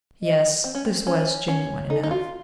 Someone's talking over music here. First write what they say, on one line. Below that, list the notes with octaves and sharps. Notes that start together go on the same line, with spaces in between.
Yes; this was genuine enough.
D#5
C4
C#4
C4
C#4 C5
C#4
D#4 A4
D#4
F4 F#4